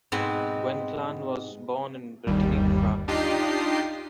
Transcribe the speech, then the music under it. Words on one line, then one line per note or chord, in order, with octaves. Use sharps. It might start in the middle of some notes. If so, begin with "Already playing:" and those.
Gwenc’hlan was born in Brittany, France.
G#2 B2 C4 B4
G1 D#2 G3
D4 D#4 F4 G4 D#5 C7